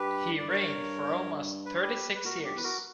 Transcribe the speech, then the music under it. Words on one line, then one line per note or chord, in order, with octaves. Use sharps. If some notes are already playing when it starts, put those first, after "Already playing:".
He reigned for almost thirty-six years.
Already playing: G2 G4 B4
D5
A#4 C#5
B4
C#5
G4 B4
B4
A#2 F#4 A#4
G2 G4
E2 B4
F#4 A#4